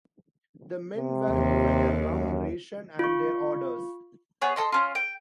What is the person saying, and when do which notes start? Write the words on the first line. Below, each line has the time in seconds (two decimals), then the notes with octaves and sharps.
The men were given a rum ration and their orders.
0.97 C3
1.30 D#2
2.06 F#2
2.99 F4 C#6
4.42 B3 G#4 C#5
4.56 A4 D#5 C6
4.72 C#4 F4
4.95 G5